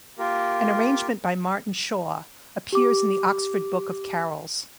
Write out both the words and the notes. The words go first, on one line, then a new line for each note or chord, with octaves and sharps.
An arrangement by Martin Shaw appears in the "Oxford Book of Carols".
A#3 F4 G4 A#4
G4 D6